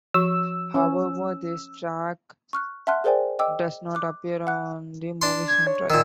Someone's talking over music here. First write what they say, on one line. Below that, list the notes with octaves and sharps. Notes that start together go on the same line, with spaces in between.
However, this track does not appear on the movie's soundtrack.
F3 F#4 C#6 E6
C#4
C#6 F6 F#6
E5 F#5 A5 C6 F6 F#6
G#4 A#4 C5 D5 G5 G#5
D#5 G5 D6 E6
D6 F#6
F#5 F#6
D4 C6
G#6
C#5
A#2 D#3 E6